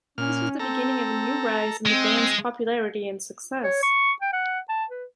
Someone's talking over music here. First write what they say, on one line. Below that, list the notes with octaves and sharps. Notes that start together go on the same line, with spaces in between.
This was the beginning of a new rise in the band's popularity and success.
A#2 C#4 F6
C4 A4 A#5
G#3 C4
C#5
C#6
G5
F#5
A5
B4